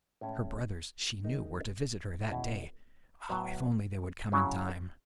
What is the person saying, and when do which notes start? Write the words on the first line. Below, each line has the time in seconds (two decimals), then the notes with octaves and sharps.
Her brothers, she knew, were to visit her that day--if only they would come in time!
0.21 A2 G#3 C#4 E4
1.24 D#3 G#3 D#4
2.27 B2 G#3 C#4 E4
3.29 A2 F#3 B3
4.32 C#3 F#3 C#4 E4